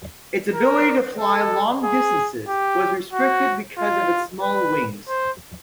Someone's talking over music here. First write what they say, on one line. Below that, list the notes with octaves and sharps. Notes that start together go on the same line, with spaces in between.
Its ability to fly long distances was restricted because of its small wings.
A#4
A4
G#4
G4
F#4
F4
B4
C5